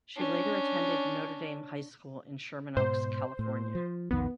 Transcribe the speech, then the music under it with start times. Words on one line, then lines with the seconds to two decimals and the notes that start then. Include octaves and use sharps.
She later attended Notre Dame High School in Sherman Oaks, California.
0.16 C#4 D4
2.77 G#2 B2 G#3 C5
3.39 A2
3.75 F3
4.11 B1 F2 D#3 B3